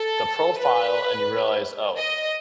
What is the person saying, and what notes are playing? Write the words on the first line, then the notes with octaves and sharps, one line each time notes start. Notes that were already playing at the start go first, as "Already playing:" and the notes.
the profile and you realize, "Oh,
Already playing: A4
B4
D#5